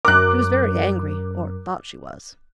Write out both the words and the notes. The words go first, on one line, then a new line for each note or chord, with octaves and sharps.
She was very angry, or thought she was.
F#2 A#4 D6 F#6